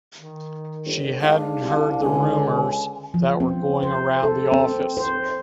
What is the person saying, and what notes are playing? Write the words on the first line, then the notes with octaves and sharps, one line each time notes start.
She hadn’t heard the rumours that were going around the office.
D#3
G1
G#2 D4 F5
C2
C#2 D3 G#5
F3
C4
C5
A4
C4
C5